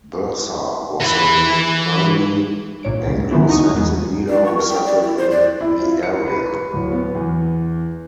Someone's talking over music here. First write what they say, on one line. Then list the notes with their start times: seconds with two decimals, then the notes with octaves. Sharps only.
Bersa was an early Anglo-Saxon leader who settled in the area.
1.00 E3 B5
2.83 C2 A#2 C#5 D7
3.07 D2 C#3
3.31 D#3 F3 A3 B3 C4 E4
3.48 C#2 D#4 A#5 C#6 D#6
3.74 E2 G#3 B3
4.29 D5
4.45 C#6
4.58 A#4
4.70 G5
4.86 D5
5.02 E4
5.18 C5
5.31 D5
5.61 E4
5.82 F4
6.03 C#7
6.28 B4
6.73 D1
6.92 B3
7.15 E2